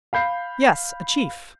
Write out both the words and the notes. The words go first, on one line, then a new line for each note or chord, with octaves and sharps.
"Yes, a chief."
F5 B5 G6 C7